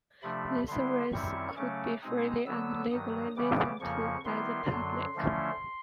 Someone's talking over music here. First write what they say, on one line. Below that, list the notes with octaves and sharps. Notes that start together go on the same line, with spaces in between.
This service could be freely and legally listened to by the public.
C3 F3 A3 D4 B5
D3 G3 B3 E4 C6
F#2 D#3 G3 C4 E4 C#6
C#3 F#3 A3 C#4 D6
B2 G#3 C4 D#4 D#6
D3 F#3 B3 E6
G2 D#3 F#3 D#6
C#3 E3 G3 B3 D6
F2 C#3 F3 A#3 C#6
D#3 G3 B3 E4 C6
F#2 D3 F#3
D3 F3 A3 C#4 E4